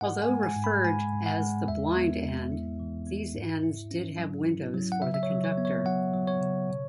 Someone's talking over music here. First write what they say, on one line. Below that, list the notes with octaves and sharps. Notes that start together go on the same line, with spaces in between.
Although referred as the "blind end," these ends did have windows for the conductor.
G#2 F#5
G#5
G#3
G#5
G#2
B5
G#3 G#5
G#2
F#5
G#3
E2 E5
B3
E2
E4
E3
B3
G#2
E4
C#4
F#3
E4
F#3
F#5
C#3 E5
E5
C#5
F#3
C#5
B3
C#5
F#3 F#5
F#3
C#5
C#3
B2